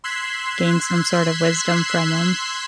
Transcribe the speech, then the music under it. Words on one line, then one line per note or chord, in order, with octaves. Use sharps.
gain some sort of wisdom from 'em.
C6 E6 F#6 G#6 B6 C7